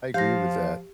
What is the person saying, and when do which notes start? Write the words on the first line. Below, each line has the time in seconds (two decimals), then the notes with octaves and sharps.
I agree with that.
0.14 F3 G4 F5 A#6